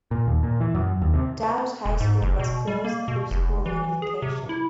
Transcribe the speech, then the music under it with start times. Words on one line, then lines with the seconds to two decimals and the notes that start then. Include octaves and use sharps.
Downs High School was closed through school unification.
0.11 A#2
0.27 D#2
0.43 A#2
0.60 E3
0.75 F#2
1.02 D#2
1.14 C3
1.85 E1
2.00 G#2
2.22 F#1
2.39 B2
2.67 G3
2.85 A#3
3.08 B2
3.31 F1
3.66 E3
4.02 G#4
4.22 C3
4.49 E4